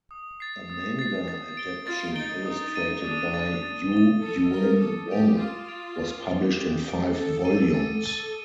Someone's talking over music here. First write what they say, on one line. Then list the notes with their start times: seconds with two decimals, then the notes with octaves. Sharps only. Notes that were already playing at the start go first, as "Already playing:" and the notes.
A manga adaptation illustrated by Yu Yuen Wong was published in five volumes.
0.11 D#6
0.40 A6 C7
0.70 D#6
0.99 A6 C7
1.28 A6
1.57 D7 G7
1.87 F4 A6
2.16 D#4 D7 G7
2.45 D#4 D#6
2.75 A6 D#7
3.05 D4 D#6
3.34 A6 D#7
3.63 A6
3.92 D#7 G7
4.22 A4 A6
4.51 A#4 D#7
4.56 G7
4.80 A4 D6
5.09 G4 A6 D7 F7
5.38 F4 D6
5.68 A6 D7 F7
5.97 A6
6.27 D7 G7
6.56 G4 A6
6.86 D7 G7
7.15 A4 A6
7.45 D#7 G7
7.74 A4 A6
8.04 D#7 G7